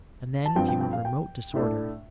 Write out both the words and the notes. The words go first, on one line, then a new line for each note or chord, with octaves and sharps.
And then came a remote disorder.
A5
G2 F3 C4 G5
G5
G5
F5
G5
A2 A3 D4